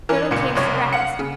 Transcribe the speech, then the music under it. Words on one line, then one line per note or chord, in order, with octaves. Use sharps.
Gridel cakes for brekfast.
E3 A#4 G#6
C#2 A#2 A#3 C#7
F#1 C2 C#5
F5 F#5 C#7
C#3